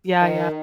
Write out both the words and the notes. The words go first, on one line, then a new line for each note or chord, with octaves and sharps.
Yeah, yeah.
D#3